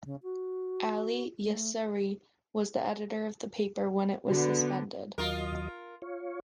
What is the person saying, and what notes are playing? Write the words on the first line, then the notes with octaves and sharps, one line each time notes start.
Ali Yasseri was the editor of the paper when it was suspended.
C#3
F#4
A3
D3 B3 F#4
D#2 F#3 F4 A#4 D#5
F4 C#5